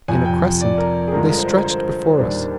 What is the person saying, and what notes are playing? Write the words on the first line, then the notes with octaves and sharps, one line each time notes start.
In a crescent, they stretched before us.
F2 C3 F3 G#5
G5
D5
A#4
G#4
G2 D3 F3 G#3 A#4
A#4
C5
A#4
C5
D#2 D#3 G3 D4